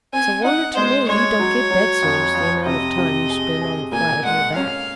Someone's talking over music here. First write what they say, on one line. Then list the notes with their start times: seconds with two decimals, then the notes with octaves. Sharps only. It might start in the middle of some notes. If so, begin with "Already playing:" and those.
"It's a wonder to me you don't get bed sores--the amount of time you spend on the flat of your back."
0.13 C4 G#5
0.44 D#4 F#5
0.76 G#3 C5
1.09 G#3 C#5
1.39 F#3
1.71 F#3
2.02 F2
2.35 F2
2.66 C3 D#5
2.98 C3
3.30 G#4
3.62 G#4
3.92 A#2 G#5
4.25 G#3 F#5
4.55 C#4 F5